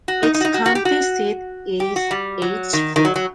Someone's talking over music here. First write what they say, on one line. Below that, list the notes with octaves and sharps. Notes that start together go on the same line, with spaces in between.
Its county seat is Edgefield.
F#4
D#4
D#4
F#4
D#4
F#4
F#4
G4
F#4
G4
F#4
G3
F#3
D#3
D#3
F#3
F#3